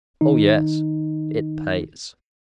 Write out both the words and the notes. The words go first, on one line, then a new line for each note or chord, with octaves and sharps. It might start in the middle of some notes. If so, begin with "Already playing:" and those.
"Oh yes, it pays."
D#3 D#4